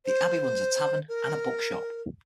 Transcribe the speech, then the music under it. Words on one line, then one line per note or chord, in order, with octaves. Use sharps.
The abbey runs a tavern and bookshop.
C5
A#4